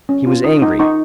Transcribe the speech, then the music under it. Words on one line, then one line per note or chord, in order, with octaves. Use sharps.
He was angry.
C#4
F4
D#4 D#6
D#4
D#4 C#6